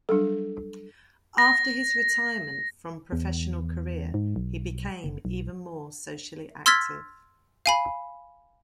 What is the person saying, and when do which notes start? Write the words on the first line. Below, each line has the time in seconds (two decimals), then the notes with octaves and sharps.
After his retirement from professional career, he became even more socially active.
0.09 F#3 G3 D4 A4
1.38 A#6
3.12 E2
4.14 G#2
4.36 B1
5.04 F#1
5.25 B1
6.66 C6 E6 F6 G#6 A6 B6
7.66 F5 G#5 B5